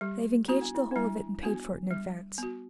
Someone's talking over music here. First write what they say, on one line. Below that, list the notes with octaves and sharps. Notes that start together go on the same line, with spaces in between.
"They have engaged the whole of it and paid for it in advance."
G3 G4
B3 E4 F#4
D4
E4
D4
G3 E4
B3 D4 F#4
G3
B3 F#4